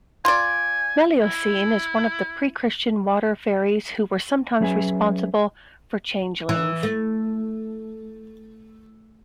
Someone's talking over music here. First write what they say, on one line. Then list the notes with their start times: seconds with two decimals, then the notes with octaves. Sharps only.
Melusine is one of the pre-Christian water-faeries who were sometimes responsible for changelings.
0.25 F4 D5 G#5
1.20 E4
4.60 F#3 C#4 G#4 B4 E5 G#5
6.49 E3
6.83 A3